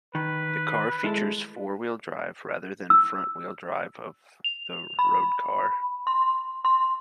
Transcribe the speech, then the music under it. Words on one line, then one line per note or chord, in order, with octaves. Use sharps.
The car features four-wheel drive, rather than the front-wheel drive of the road car.
D#3 B4
G#3 E4 A4
E6
F7
B5
C6
C6